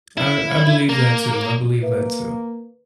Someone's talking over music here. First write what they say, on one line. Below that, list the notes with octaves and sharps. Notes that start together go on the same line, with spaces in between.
I I believe that too. I believe that too.
E4
A#3
A#3 B4 E5